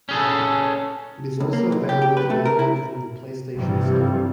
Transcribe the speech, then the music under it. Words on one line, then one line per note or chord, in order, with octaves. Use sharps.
It is also available to download from the PlayStation Store.
C#4 G#4 A4
C#2
A#3
B1
G4
G4
B4
A3
A#4
E4
G2 C3 E3 F3 G3